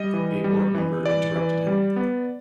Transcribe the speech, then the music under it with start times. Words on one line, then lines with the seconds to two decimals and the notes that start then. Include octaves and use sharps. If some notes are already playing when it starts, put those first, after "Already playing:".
A board member interrupted him.
Already playing: G3 D#5
0.14 E3
0.44 G3
0.74 E3
1.05 E3 D5
1.36 E3
1.67 G3
1.96 B3